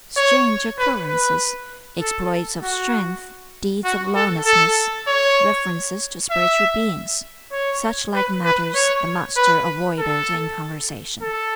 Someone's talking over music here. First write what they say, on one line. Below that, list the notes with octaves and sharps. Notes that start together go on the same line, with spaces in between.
Strange occurrences, exploits of strength, deeds of lawlessness, references to spiritual beings--such-like matters the Master avoided in conversation.
C#5
B4
B4
A4
F#4
F#4
A4
A4
C#5
E5
C#5
B4
B4
C#5
B4
A4
A4